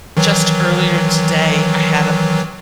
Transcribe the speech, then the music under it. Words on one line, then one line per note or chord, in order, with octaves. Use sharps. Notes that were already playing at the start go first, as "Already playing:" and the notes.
just earlier today, I had a
D#3 E3 F#3